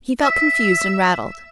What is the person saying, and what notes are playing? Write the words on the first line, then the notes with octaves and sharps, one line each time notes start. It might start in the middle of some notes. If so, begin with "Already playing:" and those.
He felt confused and rattled.
E5